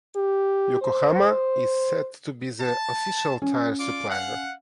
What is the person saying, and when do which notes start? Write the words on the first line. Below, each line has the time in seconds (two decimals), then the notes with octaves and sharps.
Yokohama is set to be the official tyre supplier.
0.16 G4
0.82 C5
2.60 A5
3.42 C#4
3.80 F4 D5 D6
4.09 F5 F#5